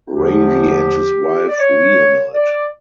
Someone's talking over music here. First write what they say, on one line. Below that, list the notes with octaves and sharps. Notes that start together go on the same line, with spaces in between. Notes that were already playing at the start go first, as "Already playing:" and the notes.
Ravi and his wife reunite.
E2 D3 F3 A3 G4
D5
C#5
D5